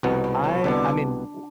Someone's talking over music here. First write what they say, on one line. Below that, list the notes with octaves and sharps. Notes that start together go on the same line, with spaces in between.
I I mean, w
C2 F2 B2 B3
G#2
A2
C2 B2 D3 B3